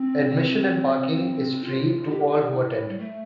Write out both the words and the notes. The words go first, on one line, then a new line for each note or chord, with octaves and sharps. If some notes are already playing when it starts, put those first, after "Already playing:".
Admission and parking is free to all who attend.
Already playing: C4
F4
F4
G4
E4
G3
A3